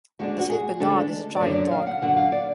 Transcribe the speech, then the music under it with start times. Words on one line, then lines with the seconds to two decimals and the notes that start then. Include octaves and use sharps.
The Saint Bernard is a giant dog.
0.19 D2 D3 G#3 D4 F#4
0.39 F#4
0.50 G#4
0.80 D2 D3 G#3 D4 A4
1.36 D5
1.40 F#2 D3 F#3 C#5
1.56 D5
1.71 F5
1.87 F#5
2.02 F#2 D3 F#3 F#5
2.17 F5
2.32 D5